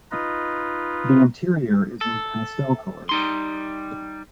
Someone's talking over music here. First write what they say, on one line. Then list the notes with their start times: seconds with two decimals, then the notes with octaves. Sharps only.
The interior is in pastel colours.
0.12 D#4 F4 B4 D#5
2.01 A4
3.09 G3 D#4 C6